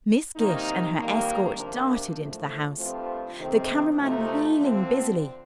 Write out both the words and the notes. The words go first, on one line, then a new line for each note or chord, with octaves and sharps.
Miss Gish and her escort darted into the house, the camera man reeling busily.
C3 D#3 A#3 D#4
F2 D#3 G3 A#3
C3 F3 A#3 D4
A2 F3 A3
G2 F3 A3 C4 F4
C3 D#3 A3 C4 D#4
D2 C3 F3 A3 D#4
D3 F3 C4